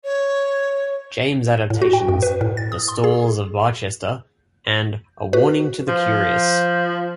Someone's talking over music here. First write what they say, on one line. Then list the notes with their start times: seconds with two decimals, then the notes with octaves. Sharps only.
James adaptations: "The Stalls of Barchester" and "A Warning to the Curious".
0.04 C#5
1.70 A2
1.82 F#4
1.93 G5
2.08 F#2
2.22 B4
2.41 A2
2.57 A6
2.72 D#6
2.88 C6
3.04 G#4
5.33 F#4 B4
5.88 F3